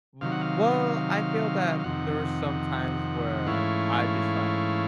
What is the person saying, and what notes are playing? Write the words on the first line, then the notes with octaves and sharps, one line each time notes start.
W well, I feel that there were some times where I just, like,
C3 D#3 F#3 F5
F#5
F5
F5
F2 C3 D#3 F#5
G#2 E3 A3 C#4 E4 F5